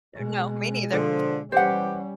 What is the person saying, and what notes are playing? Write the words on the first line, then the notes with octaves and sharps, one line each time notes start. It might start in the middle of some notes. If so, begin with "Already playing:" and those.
Uh, no, me neither.
B2 G#3
D3 F3
E3 G3 C#4 G4 C5 F#5